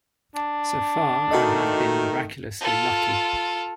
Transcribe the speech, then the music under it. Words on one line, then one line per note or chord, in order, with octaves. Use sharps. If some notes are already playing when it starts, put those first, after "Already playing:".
So far I had been miraculously lucky.
D4
D#3 A3 F#4 A#4 D#5
F4 A4